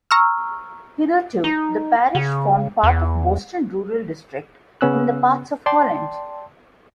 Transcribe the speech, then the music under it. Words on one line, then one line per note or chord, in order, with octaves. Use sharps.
Hitherto, the parish formed part of Boston Rural District, in the Parts of Holland.
A#5 C#6 E6 F6
D#4
C#3
E2
C#3 B3 C#4 E6 F#6
D5 G5 A5 C6